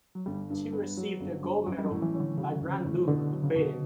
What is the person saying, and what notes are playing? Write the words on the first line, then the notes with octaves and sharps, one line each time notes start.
She received a gold medal by the Grand Duke of Baden.
F#3
G1 G3
G2
B3
F#3
G1
G2
A1 F#3
G3
F#3
A2
E3
C#4
D3
C#3 F#3
A1
A2
B2 D3
F#3
C#3
B2